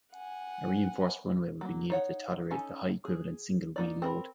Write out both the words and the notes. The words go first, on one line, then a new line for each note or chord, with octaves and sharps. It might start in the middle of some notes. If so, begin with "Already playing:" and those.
A reinforced runway will be needed to tolerate the high equivalent single wheel load.
F#5 G#5
F#3 A#3
D#4 C#5 F#5
C#4 D#4 A4
G#4
A#3 D#4 D5
C4 A#4 B5